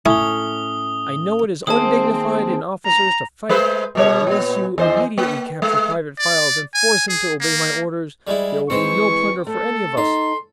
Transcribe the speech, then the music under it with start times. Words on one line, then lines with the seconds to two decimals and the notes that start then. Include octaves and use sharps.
I know it is undignified in officers to fight, but unless you immediately capture Private Files and force him to obey my orders there will be no plunder for any of us.
0.06 A2 C#4 E4 D#6 G7
1.67 D#3 A#3 C4 G#4 E5 G#5 A5 D#6
2.86 A#5
3.49 G#3 B4 C5
3.95 B2 G3 C#5
4.27 A#2 B3
4.78 E2 C5 D#5
5.18 A#3
5.62 G#3
6.19 D5
6.74 G#5
7.09 G#4
7.40 A#3
8.27 G3 G#3 E4
8.70 E3 G#3 C4 C5 C#6
9.47 A3 A4
9.97 D#4 A4 C6